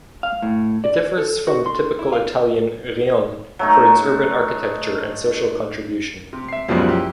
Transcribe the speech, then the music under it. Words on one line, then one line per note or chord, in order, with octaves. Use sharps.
It differs from the typical Italian "rione" for its urban architecture and social contribution.
F5
A2
D5
A4
F#4
C6
E4
F5
F#3 A3 D#4
C3
E5 C7
C#2 F#2 B2 F3 G3 B3
E4 G4